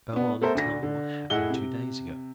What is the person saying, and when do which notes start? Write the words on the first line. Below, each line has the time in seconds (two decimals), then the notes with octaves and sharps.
But go on and tell me what happened two days ago.
0.12 B3 D4
0.41 A3 B3 A4 A#4 C5 E5
0.55 D2 D3 A#6
0.83 D3
1.30 A2 E4 G#4 D#5 F#5 G7
1.50 C3